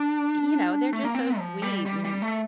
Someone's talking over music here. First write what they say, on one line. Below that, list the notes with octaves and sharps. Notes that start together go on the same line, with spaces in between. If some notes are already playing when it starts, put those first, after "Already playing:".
t you know, they're just so sweet, and,
Already playing: D4
A3
A#3
C4
F3
G3
G3
G3
A3